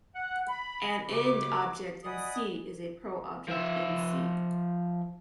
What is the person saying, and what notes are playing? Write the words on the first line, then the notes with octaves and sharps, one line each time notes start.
An ind-object in "C" is a pro-object in "C".
F#5
B5
C#3 F#4 G4 D#5 D6
D5 D#5 F#5 G#5 B5 D#6
F3 E5